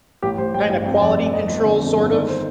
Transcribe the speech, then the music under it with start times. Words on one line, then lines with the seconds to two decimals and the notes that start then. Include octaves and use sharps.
kinda quality control, sort of?
0.22 A1 G4
0.38 A1 C5
0.54 A1 G5
0.70 G2 G5
0.86 F2 G5
1.01 F1 D5
1.18 F2 D5
1.33 F2 D#5
1.49 G1
1.65 D3
1.81 F2
1.97 G1
2.12 D#3 D5
2.28 C5